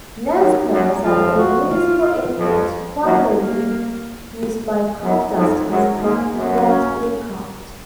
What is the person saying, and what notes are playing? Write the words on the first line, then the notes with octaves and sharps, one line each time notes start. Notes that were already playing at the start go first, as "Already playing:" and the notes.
Nezperce has a municipal airport, primarily used by cropdusters and light aircraft.
F#2 F#3 D#4
F#2 F#3
F2 F3 F4
F#4
F4
F2 F3
F#2 F#3 A#3
A#3
F#2 F#3 B3
F2 F3 D#4
F#2 F#3 G#3
G#2 G#3 A#3
F#2 F#3 B3
C#4